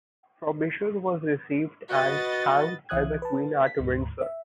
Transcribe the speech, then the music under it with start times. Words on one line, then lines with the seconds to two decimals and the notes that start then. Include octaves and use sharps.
Frobisher was received and thanked by the queen at Windsor.
1.90 F#4 B4 D#5 A6
2.89 C2 E3 E5 D#6 F#6 G#6
3.22 B4 A5
3.67 B6
3.80 D2 G#2
4.22 E5